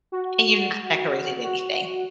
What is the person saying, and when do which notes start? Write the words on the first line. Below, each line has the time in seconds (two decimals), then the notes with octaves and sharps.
and you've not decorated anything.
0.12 F#4
1.44 F#4